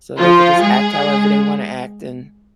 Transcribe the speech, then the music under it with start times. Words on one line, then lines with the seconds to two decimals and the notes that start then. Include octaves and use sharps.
so they could just act however they wanna act and
0.19 F3 F4
0.61 G#3 G#4